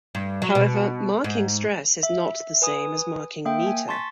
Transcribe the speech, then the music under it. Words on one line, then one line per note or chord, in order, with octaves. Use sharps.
However, marking stress is not the same as marking meter.
G2
F#3
B2
G#2
E5
B4 G#5 D#6
A#3 E5 G5
G#5
A5 C6 C#6 A6 B6